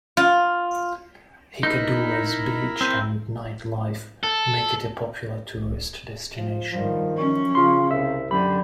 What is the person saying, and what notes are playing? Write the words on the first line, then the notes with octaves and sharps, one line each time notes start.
Hikkaduwa's beach and night life make it a popular tourist destination.
F4
D#4 E4 A#4 B5
C4
A4
F3
G2 D#3 F3
F#2 F3 F#3 C#4 C#6
C#3 F4 C6
C2 C3 E5
F#2 D3 G4 B5